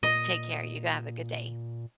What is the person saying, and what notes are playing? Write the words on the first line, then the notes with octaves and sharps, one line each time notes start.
Take care. You go have a good day.
A#2 D#5